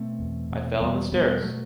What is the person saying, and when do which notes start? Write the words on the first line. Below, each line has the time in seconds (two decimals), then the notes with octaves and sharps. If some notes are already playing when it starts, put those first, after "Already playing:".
I fell in the stairs.
Already playing: B2 A3 C4
0.19 E2
0.50 B2
0.81 E2 G3 B3
1.12 B2 G3 B3
1.43 F#3 A3